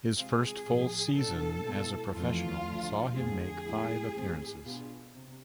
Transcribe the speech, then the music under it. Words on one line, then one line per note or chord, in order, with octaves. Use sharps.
His first full season as a professional saw him make five appearances.
C3 G#3 C4 F4 G#4
A2 F3 B3
B2 B3 D4 A4
B2 G#3 B3 E4
F2 E3 A3 F4
D2 D3 F3
F2 D3 A3 G#4
A2 E3 G#3 B3 E4
G#2 E3 A3 C4
B2 B3 D4 F4
C3